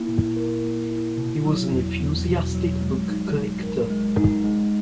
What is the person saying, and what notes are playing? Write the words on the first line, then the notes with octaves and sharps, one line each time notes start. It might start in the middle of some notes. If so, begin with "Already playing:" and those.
He was an enthusiastic book-collector.
Already playing: A#3 E4
A#2
A#4
A#3
E4
B2
F#3
E2
E2
B2
F#3
G#3
D#4
B2
A#4
G#3
D#4
G#3